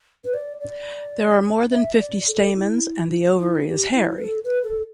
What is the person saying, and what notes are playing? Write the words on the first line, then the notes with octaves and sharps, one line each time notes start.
There are more than fifty stamens and the ovary is hairy.
B4
D5
D5
E5
D5
A4
E4
E4
G4
E4
B4
A4
B4
A4